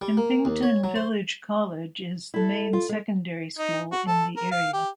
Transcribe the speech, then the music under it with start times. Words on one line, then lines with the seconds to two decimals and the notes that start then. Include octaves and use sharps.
Impington Village College is the main secondary school in the area.
0.02 G3
0.17 A#3
0.45 D#2
0.63 C#5
0.84 F#3
0.96 C5
2.34 E4 A4
2.73 F4
2.89 G#3
3.59 D#4
3.92 F#4
4.08 A4
4.37 A#4
4.51 F5
4.73 G4